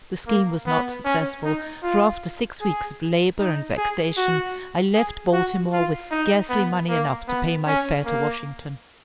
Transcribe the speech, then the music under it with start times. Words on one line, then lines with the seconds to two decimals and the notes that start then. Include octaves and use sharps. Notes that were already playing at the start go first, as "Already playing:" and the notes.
The scheme was not successful, for after six weeks of labor and vexation, I left Baltimore with scarcely money enough to pay my fare to Washington.
0.27 A#3
0.66 B3
1.05 C#4
1.44 D#4
1.83 F4
2.61 G#4
3.39 D#4
3.77 G#4
4.17 F#4
4.94 G#4
5.33 F#4
5.72 F4
6.11 D#4
6.49 B3
6.89 A#3
7.28 B3
7.67 C#4
8.05 A#3